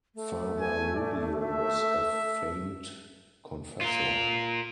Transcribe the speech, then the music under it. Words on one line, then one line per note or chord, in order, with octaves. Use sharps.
Father Rubio was a famed confessor.
A3
G#5
D5
E5
F4 A#4